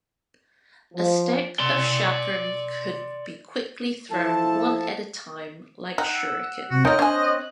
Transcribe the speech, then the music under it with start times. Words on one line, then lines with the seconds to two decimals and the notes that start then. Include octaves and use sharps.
A stack of chakram could be quickly thrown one at a time like shuriken.
0.94 F3
1.60 D5 C6
4.11 F3 E4 A4 A5
5.98 D#4 F#5 G5
6.15 E6
6.70 C3 F#4
6.85 A3 D#4 F4 A#4 C#5 D#5 G5
6.99 C4 D4 C5 C#5 G#5 F#6